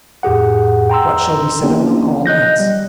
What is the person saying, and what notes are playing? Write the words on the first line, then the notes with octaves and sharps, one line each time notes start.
What shall be said among all knights?
F2 A2 G4 G#4 F#5
G5 A#5 C6 E6
A#3 B3 C#4 D4 E4 G4
D#5 F#6 G6 A#6
G3